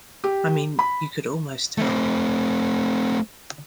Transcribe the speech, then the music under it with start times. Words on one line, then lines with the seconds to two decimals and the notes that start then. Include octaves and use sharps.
I mean, you could almost tell.
0.24 G4
0.79 B5
1.78 A3 C4